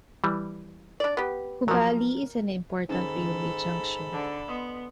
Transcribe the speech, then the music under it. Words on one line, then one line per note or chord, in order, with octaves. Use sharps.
Hubballi is an important railway junction.
E3 G3
D4 D5
B3 G4
F3 F#3 A#4
G#2 D#3 C#4 D#4 A4 B5
D3
B3 D#5 C6 D#6